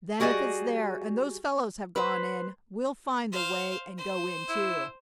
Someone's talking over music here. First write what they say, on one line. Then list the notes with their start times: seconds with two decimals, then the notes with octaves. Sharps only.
"Then if it's there, and those fellows have gone in, we'll find the way, and go in too."
0.20 G3 F#4 G#4 D5 D#5
1.96 B4 C5
3.32 C5 F5
3.97 C5
4.49 E4